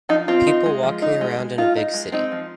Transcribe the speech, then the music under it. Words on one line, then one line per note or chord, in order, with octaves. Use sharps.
People walking around in a big city.
F3 D#4
C4 F4
D#4
G#3
F3
D#4
G#3
G#3
D#4 F4
D#4
G#3
C4 D#4
F3